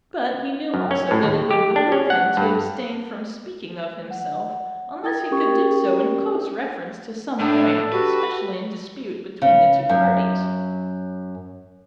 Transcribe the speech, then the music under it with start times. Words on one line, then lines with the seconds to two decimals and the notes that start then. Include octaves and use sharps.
But he knew also that it would behove him to abstain from speaking of himself unless he could do so in close reference to some point specially in dispute between the two parties.
0.74 F#2
0.91 C#4
1.11 A2
1.23 D#2
1.51 G4
1.76 D4
1.92 C#4
2.10 F#5
2.37 G2
4.11 F#5
5.04 E4 G5 D#6 G#6 A6
5.31 C#4 G4 A#4 G5 C#6
7.40 A2 D4 A4
7.92 F#4 G4 B4
9.42 C#3
9.89 F#2